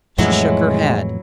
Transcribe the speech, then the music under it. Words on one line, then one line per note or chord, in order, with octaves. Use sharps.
She shook her head.
F2 A2 E3 F#3 G#3 E4 F#4